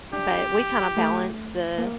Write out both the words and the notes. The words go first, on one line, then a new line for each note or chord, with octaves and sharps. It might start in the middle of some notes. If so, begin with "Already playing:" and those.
but we kinda balance the
D4 G4
A3
A#3